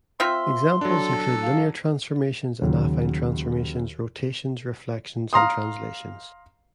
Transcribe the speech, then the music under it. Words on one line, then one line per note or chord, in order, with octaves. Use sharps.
Examples include linear transformations and affine transformations, rotations, reflections and translations.
C4 F4 E5 C6
F#3 D4 A4
F5
D#2 C#3 F#3
F5 A#5 C6 D#6